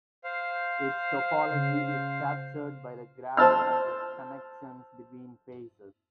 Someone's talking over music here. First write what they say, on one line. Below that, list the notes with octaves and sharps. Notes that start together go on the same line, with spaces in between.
Its topology is captured by the graph of the connections between faces.
C5 F5
C#3
C5 A5 E6 F6